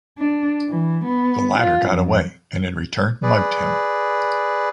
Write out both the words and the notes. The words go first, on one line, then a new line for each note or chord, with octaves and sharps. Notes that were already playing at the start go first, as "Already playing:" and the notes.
The latter got away, and in return mugged him.
D4
E3
B3
F4
F2
G#4 B4 D5